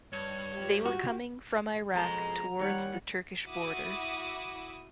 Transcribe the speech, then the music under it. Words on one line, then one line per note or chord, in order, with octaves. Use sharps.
They were coming from Iraq towards the Turkish border.
G2 C#5
F4 G4
F#4
F2 B2 G#3 A#5
D#2 G3 C#5 F#5
E4 F#4 E5 D6 D#6